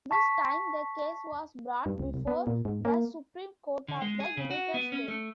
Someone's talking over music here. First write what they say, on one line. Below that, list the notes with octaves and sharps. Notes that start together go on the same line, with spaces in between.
This time, the case was brought before the Supreme Court of the United States.
A5 C#6 B6
G2
C#2
C2
B3
A#2
G#2
A#3
D3
G#3
G#4
C#3
F#4
B3
C#4
A3